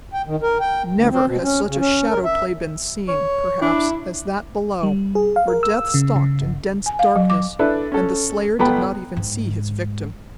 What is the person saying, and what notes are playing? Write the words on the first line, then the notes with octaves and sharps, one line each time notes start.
Never has such a shadow-play been seen, perhaps, as that below, where death stalked in dense darkness, and the slayer did not even see his victim.
G5
D#3
A#4
G5
D2
C4
B2
C#4
C#3
C#4
A#4
E5
C#5
D4 E4
G3
G#4
F5
A#4
E6
C#3
C#3
G1
G#5
F5
F#3
D6
D4 E4 A4 B4 D5
C#4 A4
G1 B3 A4 G5 B5
G#2